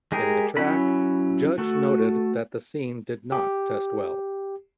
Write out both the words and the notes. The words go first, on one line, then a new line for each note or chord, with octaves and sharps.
In the track, Judge noted that the scene did not test well.
G#3 G4 G#4 A#4
F#3 C#4 E4 B5
A3 F#4 A4
G4